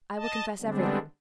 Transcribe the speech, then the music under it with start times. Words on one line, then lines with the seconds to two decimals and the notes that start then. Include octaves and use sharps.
I will confess everything.
0.17 D#5 A5
0.61 D3 G3 G#3 B3 C4 D4